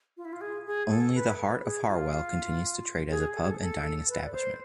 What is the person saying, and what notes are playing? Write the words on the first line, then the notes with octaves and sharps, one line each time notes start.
Only The Hart of Harwell continues to trade as a pub and dining establishment.
F4
E4
F4
G#4
G#4
A4
B4
G#4
F4
G#4
A4
G#4
A4
A4
B4
D5
C5